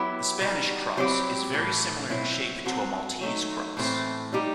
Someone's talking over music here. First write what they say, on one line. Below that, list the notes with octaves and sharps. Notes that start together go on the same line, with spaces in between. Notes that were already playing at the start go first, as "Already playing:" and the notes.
The Spanish Cross is very similar in shape to a Maltese cross.
Already playing: F#3 B3 E4 G4
G3 D#4 F#4
F#3 C4 E4 G4
A2 E3 A3
B2 F#3 C4 E4
F#3 C4 F#4 A4
F#3 A3 D#4
A2 E3 A3 C4
G3 D#4 G4